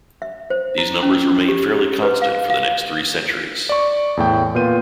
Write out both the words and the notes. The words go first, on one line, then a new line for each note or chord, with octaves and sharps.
These numbers remained fairly constant for the next three centuries.
E5
C5
E4
C#4
G4
B4
F5
F5
D5 C#6
E2 A2 G5
A#2 B3 F4 B4 G6 D#7